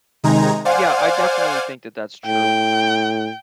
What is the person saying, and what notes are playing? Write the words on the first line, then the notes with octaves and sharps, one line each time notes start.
Yeah, I definitely think that that's true.
C3 D#3 G#3 D#4 A#5 G#6
C5 D5 F5 F#5 G#5
A2 G5